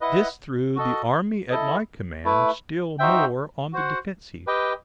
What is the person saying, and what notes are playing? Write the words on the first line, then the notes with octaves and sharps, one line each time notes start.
This threw the army at my command still more on the defensive.
E4 B4 D#5 F#5
F#4 A4 D#5
E4 A4 D#5
A3 E4 B4
D#4 F#4 C5 E5 G5
F#4 C5 F#5
G4 B4 D#5 G5